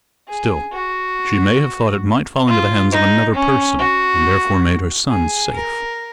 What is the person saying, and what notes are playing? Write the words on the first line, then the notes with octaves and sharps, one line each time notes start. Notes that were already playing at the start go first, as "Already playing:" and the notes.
Still, she may have thought it might fall into the hands of another person, and therefore made her son safe.
G#4
F#4
F4
D#4
C#4
F#4
G#4
A#4